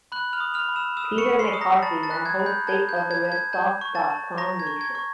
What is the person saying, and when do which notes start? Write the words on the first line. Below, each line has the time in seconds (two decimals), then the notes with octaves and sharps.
Peter McCarthy now hosts "State of the RedSox dot com Nation".
0.12 B5 F#6 F#7
0.33 F6 F7
0.40 D#6
0.54 F6 F7
0.69 B5
0.76 E6 E7
0.97 D#6 E6 E7
1.18 C#6 C#7
1.25 B5
1.39 C6 C7
1.53 D#6
1.61 A#5 A#6
1.82 A5 B5 A6
2.03 A5 A6
2.11 F#6
2.26 G#6
2.39 B5
2.46 G6
2.67 A5 G#6
2.89 G6
2.96 A5
3.11 G#6
3.25 A5
3.32 G#6
3.53 A5 G6
3.81 C#6
3.95 A5 A6
4.10 A5
4.38 A#5 C#6 A#6
4.60 G#6
4.67 C#6
4.81 G#6
4.95 C#6